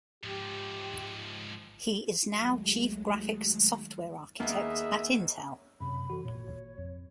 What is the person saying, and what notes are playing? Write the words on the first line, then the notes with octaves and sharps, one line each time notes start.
He is now Chief Graphics Software Architect at Intel.
G#2 F3 G4
D#2 F#3 G#3 A3
D#2 A#3 B3 D#4 G#4 A#4 D#5 E5
F#2 C3 B5
E3 F#4 A4
G#1 A#2 C#5
F2